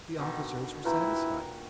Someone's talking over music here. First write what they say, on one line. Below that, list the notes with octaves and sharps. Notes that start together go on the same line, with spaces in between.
The officers were satisfied.
B2 D3 D#3
A#2 E4 F#4 B4 G5 A#5